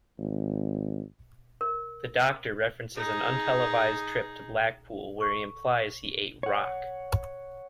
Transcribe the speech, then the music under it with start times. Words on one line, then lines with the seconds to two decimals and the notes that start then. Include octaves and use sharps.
The Doctor references an untelevised trip to Blackpool where he implies he ate rock.
0.18 G#1
1.61 A#4
2.97 D#4 G#4
5.19 A4 C#6
6.43 C#5 F#5